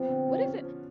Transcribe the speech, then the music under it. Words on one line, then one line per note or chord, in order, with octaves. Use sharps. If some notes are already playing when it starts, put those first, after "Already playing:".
What is it
Already playing: F3 B3 C4
D3
F3
C#4
F3